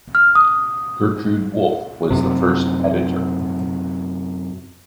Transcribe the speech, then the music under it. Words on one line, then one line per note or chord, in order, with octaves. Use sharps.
Gertrude Wolff was the first editor.
F6
D#6
F#2 C3